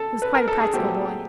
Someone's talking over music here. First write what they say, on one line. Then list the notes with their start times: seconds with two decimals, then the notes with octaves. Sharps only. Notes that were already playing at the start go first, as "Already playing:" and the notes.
He was quite a practical boy.
Already playing: A4
0.22 B4
0.34 A#4
0.48 A4
0.60 G#4
0.73 A#2 F#3 A3 C4 G4